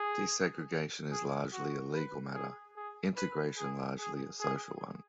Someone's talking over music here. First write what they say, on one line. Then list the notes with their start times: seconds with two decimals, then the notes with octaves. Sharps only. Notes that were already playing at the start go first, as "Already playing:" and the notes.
Desegregation is largely a legal matter, integration largely a social one.
Already playing: G#4
1.11 G#4
1.52 F#4
1.93 B4
2.34 G#4
2.76 G#4
3.17 B4
3.57 G#4
3.98 G#4
4.40 G#4